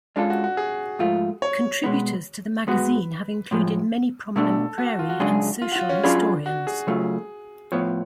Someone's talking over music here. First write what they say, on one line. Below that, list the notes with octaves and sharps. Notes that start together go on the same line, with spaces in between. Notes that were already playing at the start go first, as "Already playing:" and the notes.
Contributors to the magazine have included many prominent prairie and social historians.
G#3 C#4 D4 F4 A4
F#4
F#4
G#4
G#2 F3 A3 F4
C#5
B2 G#3 B3
G#2 G#3 B3 F#4 B4
A2 F3 G#3
B2 A3 D4 A4
F#4
F4
F#4
F#2 C#3 G#3 D4 G#4
F4
F#4
F4
C#4
F#3 C#4 D4 F4 G#4 B4
F#4
G#4
C#3 F#3 A3 F4
A2 F3 B3 C#5